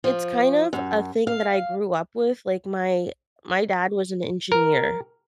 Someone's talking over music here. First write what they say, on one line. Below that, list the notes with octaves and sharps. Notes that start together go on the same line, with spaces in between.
it's kind of a thing that I grew up with, like, my my dad was an engineer.
F3
F#2
F5
A#4